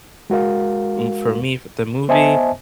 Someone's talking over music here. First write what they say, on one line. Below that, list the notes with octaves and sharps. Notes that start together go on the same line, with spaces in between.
m for me f the movie,
G#3 F#4 A#4 F5
B3 C5 D#5 E5 G#5 A5